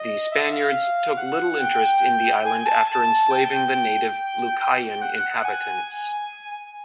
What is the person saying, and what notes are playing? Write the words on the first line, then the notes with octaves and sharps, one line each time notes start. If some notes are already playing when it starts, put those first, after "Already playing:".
The Spaniards took little interest in the island after enslaving the native Lucayan inhabitants.
Already playing: D#5
E5
F5
F#5
G5
G#5
A5
A5
G5
G5
F#5
G#5